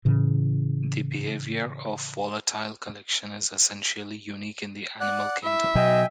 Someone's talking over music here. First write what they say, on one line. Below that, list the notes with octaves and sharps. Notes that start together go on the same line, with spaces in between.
The behavior of volatile collection is essentially unique in the animal kingdom.
A2 C#3 E3
D5 F#5 F#6
E4 E5
B2 F#3 D#5 G5 G#5